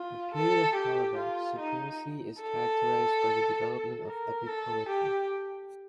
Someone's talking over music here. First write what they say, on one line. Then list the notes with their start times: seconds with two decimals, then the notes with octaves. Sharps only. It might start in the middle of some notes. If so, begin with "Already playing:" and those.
The period of Pallava supremacy is characterized by the development of epic poetry.
Already playing: F4
0.34 A4
0.76 G4
1.17 F4
1.59 D#4
2.42 A4
4.07 A#4
4.47 A4
4.89 G4